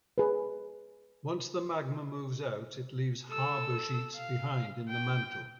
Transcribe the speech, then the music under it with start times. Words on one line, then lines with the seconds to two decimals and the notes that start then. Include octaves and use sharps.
Once the magma moves out it leaves harzburgites behind in the mantle.
0.18 G#4 B4
3.30 A4 E6
4.16 F5
4.89 G5